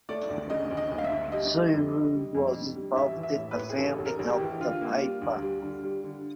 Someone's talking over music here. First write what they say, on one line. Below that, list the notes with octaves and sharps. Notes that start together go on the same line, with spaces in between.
Xu Wu was involved in the founding of the paper.
A3 D5
D2
C#3 D#5
D2
D#5
D2
F5
E5
D2
G3 D#5
G3
F2
D3
G3
F2
D3
G3
A1 E5
E3
E5
A2
B4
A2
G#4
A1 A4
A1
A#4
A1
G#4
G4
E3
D3 F4
A#3
G3
D2
G3
D3
G3
D3